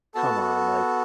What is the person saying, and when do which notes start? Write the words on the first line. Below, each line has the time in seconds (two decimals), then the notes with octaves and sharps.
come on, like
0.15 B3 F#4 A4 A5